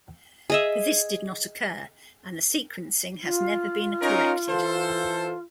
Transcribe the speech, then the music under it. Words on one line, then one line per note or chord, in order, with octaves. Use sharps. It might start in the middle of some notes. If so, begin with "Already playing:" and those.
But this did not occur, and the sequencing has never been corrected.
G#4 D#5 E5
F4
C#4 D#4 A#4
E3 A4 C5